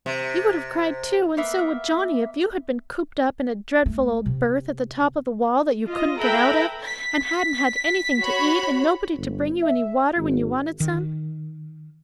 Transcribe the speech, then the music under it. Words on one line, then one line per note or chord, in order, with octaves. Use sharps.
You would have cried too, and so would Johnnie, if you had been cooped up in a dreadful old berth at the top of the wall that you couldn't get out of, and hadn't had anything to eat, and nobody to bring you any water when you wanted some.
C3
A#3 B3 E5
A3
C3
F4 D#5
A4 B4 E5 G5 A#5 B5
B6
F#4 C#5 B5
G1
E5
G#1
D#3